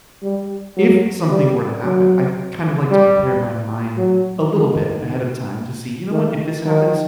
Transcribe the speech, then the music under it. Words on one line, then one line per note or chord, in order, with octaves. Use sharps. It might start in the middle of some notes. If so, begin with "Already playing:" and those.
if something were to happen, I'd kind of like to prepare my mind a little bit ahead of time to see, "You know what? If this happens,
G3
F#3
G3
F#3
G3
F#3
D#3
D#3
D#3